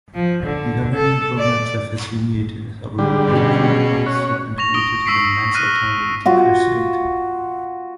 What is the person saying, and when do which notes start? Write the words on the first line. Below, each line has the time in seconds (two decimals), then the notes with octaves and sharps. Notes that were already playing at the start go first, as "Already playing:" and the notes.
The government programs that facilitated suburbanization also contributed to the mass automobility crusade.
0.14 F3
0.43 D3
0.95 A4
1.38 D5
2.98 D3 G3 G#4
3.28 B2 C#4
4.06 C#5 F#6
4.58 C#6 A#6 F7
4.74 D#6 A#6 D7 G7
5.06 C#6 E6 B6 C7 D7
5.54 C#6 F6 F#6 A#6 D#7
6.25 F4 F#4 D6